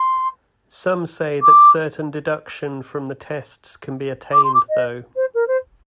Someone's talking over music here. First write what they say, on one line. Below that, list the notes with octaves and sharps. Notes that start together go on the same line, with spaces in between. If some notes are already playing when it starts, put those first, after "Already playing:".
Some say that certain deduction from the tests can be attained, though.
Already playing: C6
D6
D6
C6
D6
D#5
C5
A#4
C5